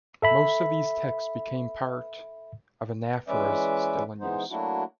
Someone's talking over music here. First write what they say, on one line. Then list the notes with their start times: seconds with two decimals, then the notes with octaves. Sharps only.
Most of these texts became parts of anaphoras still in use.
0.22 A4 E5 B5
3.28 E3 G#3 C#4 B4 D5 E5
4.20 E3 G#3 B3 D#4 C5
4.51 F#3 A3 A#3 D4 E4 F#4